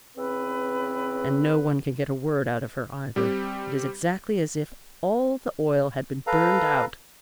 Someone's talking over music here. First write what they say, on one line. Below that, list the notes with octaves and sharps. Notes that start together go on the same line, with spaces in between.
"And no one can get a word out of her, either; it is exactly as if all the oil had been burned out."
E2 C#3 C4 B4
G3 C4 G4
A4 B4 F5 A#5